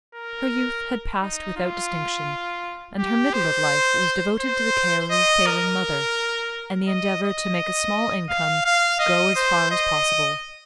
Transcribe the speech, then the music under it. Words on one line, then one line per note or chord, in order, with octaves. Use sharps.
Her youth had passed without distinction, and her middle of life was devoted to the care of a failing mother, and the endeavour to make a small income go as far as possible.
A#4
D#4
F4
G4
C5
C5
D#5
A#4
D#5
D#5
F5
F5
D#5
C5
D#5